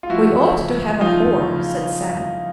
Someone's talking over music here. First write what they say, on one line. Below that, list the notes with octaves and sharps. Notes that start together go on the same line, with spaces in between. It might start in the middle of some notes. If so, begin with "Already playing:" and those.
"We ought to have a horn," said Sam.
F4
F3 E4 F#4
E2
C#3
E2
F3 D#4 F4
E2
C#3